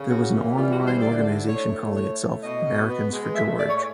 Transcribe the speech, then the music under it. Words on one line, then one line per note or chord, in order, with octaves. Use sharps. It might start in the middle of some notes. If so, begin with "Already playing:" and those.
There was an online organization calling itself Americans for George.
Already playing: C#3
A#3 F#4
E3
G3 F4
F#4
E4
C5
D3 D5
E4
A3 C#5
A3
E4 C#5
A3
B2 D#5
B2
B3
G#3
A3 E5
A2 D5
C#5